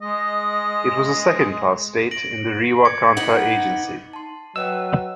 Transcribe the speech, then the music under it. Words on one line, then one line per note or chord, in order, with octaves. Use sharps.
It was a second class state in the Rewa Kantha Agency.
G#3 D#5
A#6 D7 F#7
D6 G#6 C#7
B3 D#4 F#5 F#7
A5 C6
F#3 B4 D#5 F#5 G5 E6